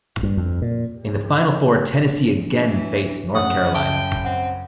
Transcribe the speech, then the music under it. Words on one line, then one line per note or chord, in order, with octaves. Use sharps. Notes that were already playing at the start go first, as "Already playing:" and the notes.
In the Final Four, Tennessee again faced North Carolina.
G2
F2
A#2
D4
E3 F#3
F#2 C#3 F#5 D#6
E5 G5 A5
C4 F#5